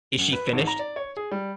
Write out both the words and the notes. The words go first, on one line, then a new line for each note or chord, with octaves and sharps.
Is she finished?
F#2
B4
G#1
A#5
D5
C#5
G#4
G3